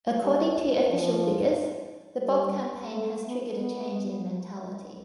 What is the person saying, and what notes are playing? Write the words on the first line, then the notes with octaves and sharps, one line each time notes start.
According to official figures, the Bob campaign has triggered a change in mentality.
G3
F3
G3
A3
B3
B3